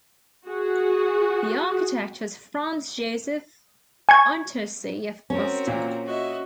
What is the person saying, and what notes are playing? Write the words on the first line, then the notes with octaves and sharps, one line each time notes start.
The architect was Franz Joseph Untersee of Boston.
F#4 G#4
G#5 C#6 G#6
C4 C#4 F#4 A#4
A#2
F#4 D#5 E5